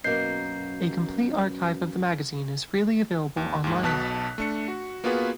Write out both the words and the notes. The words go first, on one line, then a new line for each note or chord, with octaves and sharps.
A complete archive of the magazine is freely available online.
F#2 B2 A#3 G6 C7
D#2
D#2 G#2
B1 B2 A5 F#6 B6
A3 D4 C#7
F#4
A#3 B3 F4 F#4 G#4 B4